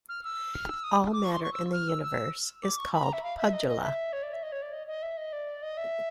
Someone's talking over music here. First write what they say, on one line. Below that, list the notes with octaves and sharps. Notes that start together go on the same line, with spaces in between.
All matter in the universe is called Pudgala.
F6
E6
F6
E6
D#6
D6
C#6
C6
C#6
E6
F6
E6
E6
D6
C#6
B5
A#5
E5
F5
E5
D#5
D#5
E5
C#5
D5
E5
D#5
C#5
D5
D#5
D#5
E5
D#5
D5
D#5
E5